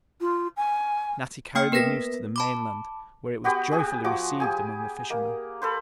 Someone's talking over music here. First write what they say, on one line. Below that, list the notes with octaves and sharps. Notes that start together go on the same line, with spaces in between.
Natty carried the news to the mainland, where it was joyfully received among the fishermen.
F4
G#5
A#3 G5 F6 C#7
B3 A#4 B4 A#6 B6
A5 B5 D6
B3 F#4 G4 B4
G4 G#4 G#5
F3 F#4 D6
G4 G#4 G#5
A#3
A4 B4 C5